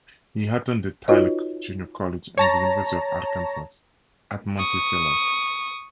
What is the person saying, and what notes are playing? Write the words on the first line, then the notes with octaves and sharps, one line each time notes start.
He attended Tyler Junior College and the University of Arkansas at Monticello.
D#4 F4 F#4 B4 C#5 D#5
C#5 A5 A#5
C#6 D#6